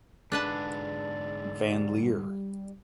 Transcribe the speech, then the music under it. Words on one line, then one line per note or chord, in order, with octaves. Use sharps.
Van Leer.
G#2 D3 D4 G#4 B4 D5 A5
G3